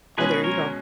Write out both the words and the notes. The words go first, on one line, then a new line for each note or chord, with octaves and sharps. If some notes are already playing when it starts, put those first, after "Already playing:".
Oh, there you go.
B2 G#3 C#4 G#4 B4
A#4 C#5